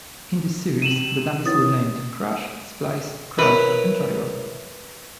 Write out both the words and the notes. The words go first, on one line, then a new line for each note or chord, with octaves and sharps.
In this series, the dummies were named Crash, Splice, Crunch, and Gyro.
C3 D#7 E7 F#7
D#3 E3 C#4 D#6 A6
E4 A#4 B4 C#5